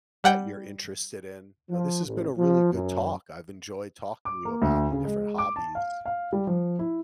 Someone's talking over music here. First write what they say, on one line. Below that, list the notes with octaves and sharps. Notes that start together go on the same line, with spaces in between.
that you're interested in uh, this has been a really good talk, I've enjoyed talking to you about the different hobbies.
G3 F#5 G5
F3
A1
F3
F#2
D6
A#3
D2
C#3
G#3
D6
A5
F5
F5
G3
F3
E4